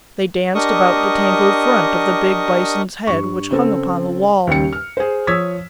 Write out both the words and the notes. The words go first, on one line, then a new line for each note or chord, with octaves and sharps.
They danced about the tangled front of the big bison's head which hung upon the wall.
D4 G4 A#4 D#5 C#6 D#6
G2 C#6
C#3 C4 A4
D#2 C#3 G3 G5 C#7
F6
G#4 C5
F3 C#5 D#6 E6 G#6 B6